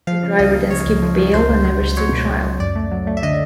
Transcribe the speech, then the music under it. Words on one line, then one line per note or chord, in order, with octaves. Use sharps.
The driver then skipped bail and never stood trial.
F3 F5
C#3
C#2 D#5
A#3
C#3 C#5
C#2
F3
F3
C#2 C5
C#2
F#3
C#2
F#3 C#5
B2
C#2
C#2
F#2 D5
A3
F#3
A3
E5
D3 D#5